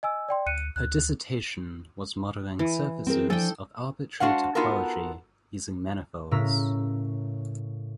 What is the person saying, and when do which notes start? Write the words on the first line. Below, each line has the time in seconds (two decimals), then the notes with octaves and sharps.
Her dissertation was "Modeling Surfaces of Arbitrary Topology using Manifolds".
0.03 D#5 G#5 E6
0.29 D5 G5 C6
0.46 D2 F#6 C#7 D#7
0.76 D2 F#6
2.59 E3
3.07 C4 G#4 A#4
3.30 F3 D4 A4 G5 G#5
4.20 G#3 D4 F#4 C5 F5 F#5
4.55 B3 D#4 F4 F#4 A4 A#4
6.31 A2 C#3 A#4 A#5 E6 B6